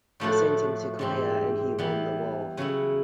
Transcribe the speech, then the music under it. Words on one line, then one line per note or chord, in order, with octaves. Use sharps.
I sent him to Korea and he won the war.
A2 F3 A3 D4 F#4
G#2 E3 G3 C4
E3 G3 B3
C#3 F#3 B3 E4